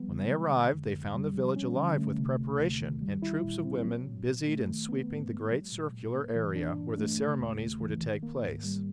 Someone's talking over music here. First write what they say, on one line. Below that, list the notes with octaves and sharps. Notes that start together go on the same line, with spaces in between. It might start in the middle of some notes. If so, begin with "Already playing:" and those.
When they arrived, they found the village alive with preparation, and troops of women busied in sweeping the great circular area where the ceremonies were to take place.
Already playing: F3 G3 B3
C#3
G#3
D3
F2
F2
G3
F3
C#4
D3
A3
C3
D2
D2
D#3
G3
E4
A#2
C4
F#3
A#2
A#2
A3
D#3
B3
G#2
G#3
F#3
A#2
A#2
A#3
E3
D4
G2
A3
C#3
D#2
D#2
E3
D#3
A#3
G#2
G3